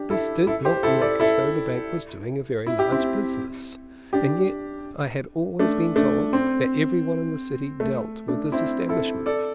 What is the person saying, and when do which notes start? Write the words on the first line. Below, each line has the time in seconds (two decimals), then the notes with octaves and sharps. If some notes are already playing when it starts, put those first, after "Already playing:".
This did not look as though the bank was doing a very large business; and yet I had always been told that every one in the city dealt with this establishment.
Already playing: D4 G4
0.10 E4 A4
0.47 E4 A4
0.65 G4 C5
0.83 E4 A4
1.01 A4 D5
1.20 E4 A4
2.67 E4
2.79 G4
2.92 C4 E4
4.13 D4 G4
5.59 A3 D4
5.96 A3 D4
6.33 C4
7.80 A3
8.28 A3 D4
8.52 C4 E4
8.89 E4 A4
9.26 A4 D5